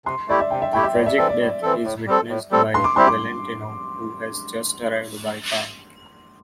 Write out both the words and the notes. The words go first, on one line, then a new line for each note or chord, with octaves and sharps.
The tragic death is witnessed by Valentinov who has just arrived by car.
C3 C6
A3 E4 G4 D5
E5
C3 G5
E5
A3 E4 G4 G5
E5
A2 D5
E5
E3 C4 A4 D5
D5
A2
E3 C4 A4
A2
G3 C4 A4
A2
G3 C4 A4
G2 C6
D6
G3 C4 E4 G4 C6
D6